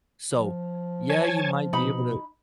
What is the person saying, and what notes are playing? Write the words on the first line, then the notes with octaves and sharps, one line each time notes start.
so, yeah, you might be able to
F3
C#5 G#5 A5
B2 D#4 B5